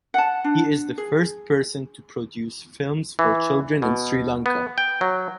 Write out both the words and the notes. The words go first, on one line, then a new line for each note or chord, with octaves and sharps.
He is first person to produce films for children in Sri Lanka.
F#5 A5
D4
G#4
E3
B2
B3
G5
F#3